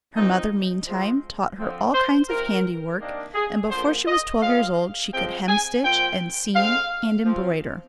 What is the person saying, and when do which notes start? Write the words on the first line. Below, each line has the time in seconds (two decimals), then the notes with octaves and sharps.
Her mother, meantime, taught her all kinds of handiwork, and before she was twelve years old she could hemstitch, and seam and embroider.
0.16 A#2 F3 C4 D#4
0.86 F3 G#3 C4
1.58 D3 F3 C4
1.94 C5
2.29 C3 F3 C4 A#4
2.99 C3 D#3 A#3 D4
3.35 G#4
3.70 D3 F3 A#3 C5
4.07 D#5
4.42 A#2 G#3 C4 F5
5.12 F3 G#3 C4 G5
5.48 G#5
5.84 A#2 F3 C4 G5
6.54 D3 G#3 C4 F5
7.25 F3 C4